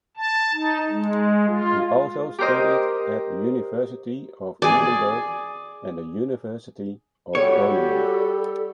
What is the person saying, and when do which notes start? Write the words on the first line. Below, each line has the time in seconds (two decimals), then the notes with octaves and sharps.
He also studied at University of Edinburgh and the University of Groningen.
0.17 A5
0.54 D#4
0.91 G#3
1.47 F4
2.38 G4 A#4 C5 D#5
4.62 G#4 D5
7.35 G3 F#4 G4 A4 C#5